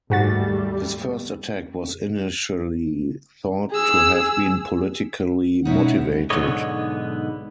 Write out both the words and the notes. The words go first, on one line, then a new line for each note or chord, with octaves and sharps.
His first attack was initially thought to have been politically motivated.
D#2 G#2 G3 A3 F#4 A6
G#4 E6
B2 G#3 C#4 D#4 E4 F#5
B1 G#2 D3 B3 C#5 D#5